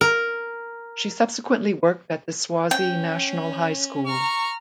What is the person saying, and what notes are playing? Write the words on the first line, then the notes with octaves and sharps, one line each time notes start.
She subsequently worked at the Swazi National High School.
A#4
C#4 G5
A#5 C#6 F6